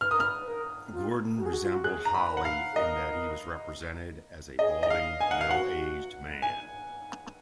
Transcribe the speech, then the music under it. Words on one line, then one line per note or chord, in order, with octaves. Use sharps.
Gordon resembled Holly in that he was represented as a balding middle-aged man.
B4 F6
A#4 D#6
B4 F6
B4
A#4
F4
F#4
G#4
F#4
F4
F#4
G#4 F#6
A#5
B5
A#4
F#5
F5
G#4
A#4 D#5
G#4 D#5
D#5
F5
G#5
F#5
F5
F#4 F#5
G#5